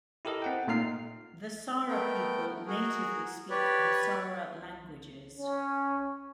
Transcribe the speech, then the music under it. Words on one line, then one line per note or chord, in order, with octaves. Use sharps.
The Sara people natively speak the Sara languages.
E4 G4 A4 A#4 D#5
C4 F#5 G5
A#2 A3 A#3 D#4 F6 C7
A3 B3 A#4 G5
F#4 G#4 A#4
G4 B4 C#5 D5
C#4